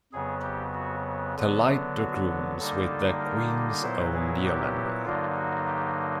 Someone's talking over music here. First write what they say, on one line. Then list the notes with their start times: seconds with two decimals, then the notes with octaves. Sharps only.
The Light Dragoons with the Queen's Own Yeomanry.
0.13 F2 C#3 F#3 B3 G#4
0.43 G4
0.74 F#4
1.36 D3 F#3 B3
1.98 F#4
2.59 D3 G3 A#3 D#4 A4
3.20 A#4
3.82 A#2 F#3 B3 E4 C5
4.13 G#4
4.44 G4
5.05 G2 D3 F#3 A#3 D#4 F4
5.36 F#4
5.67 G4